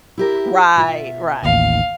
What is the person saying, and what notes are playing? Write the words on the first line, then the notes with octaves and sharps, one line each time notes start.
Right, right.
E4 G4 A#4
B2 F4 E5
A1 D#2 D#3 F5